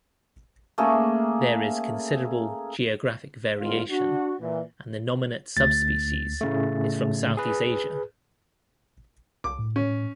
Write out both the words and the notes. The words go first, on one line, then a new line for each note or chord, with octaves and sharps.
There is considerable geographic variation and the nominate subspecies is from Southeast Asia.
A3 A#3 C#4 G#4
G#1 F4
D4 F#4
A#2 E3
D2 A6
A2 C#3 A3
G#4 B4
C2 D6
A2
C#4